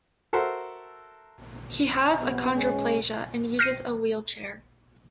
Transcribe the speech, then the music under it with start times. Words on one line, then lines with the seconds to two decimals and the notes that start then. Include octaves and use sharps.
He has achondroplasia and uses a wheelchair.
0.33 F#4 A4 A#4 C5 E5 F#5
2.19 F2 C3 B3
2.53 G#3 C#4
3.59 F6 G6 A#6 C7 C#7 D#7